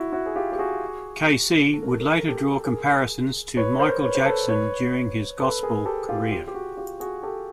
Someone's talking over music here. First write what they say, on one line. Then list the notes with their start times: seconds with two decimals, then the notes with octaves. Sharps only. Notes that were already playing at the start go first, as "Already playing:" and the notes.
K-Ci would later draw comparisons to Michael Jackson during his gospel career.
Already playing: E4 F#4
0.13 E4 F#4
0.26 G#4
0.36 F4 G4
0.52 G4
0.59 F#4 G#4
1.74 A4
1.83 A#4
1.92 A4
2.01 A#4
2.11 A4
2.19 A#4
2.28 G4 A4
2.54 A4
2.65 G#4 A#4
3.57 B4 C#5
3.79 A#4 C5
4.02 B4 C#5
4.15 C5
4.25 A4 B4
4.49 B4 C#5
5.40 A4 B4
5.63 G#4 A#4
5.86 G4 A4
6.09 F4 G4
6.31 F4 G4
6.48 G4
6.55 F#4 G#4
6.77 F4 G4
7.00 F#4 G#4
7.23 G4 A4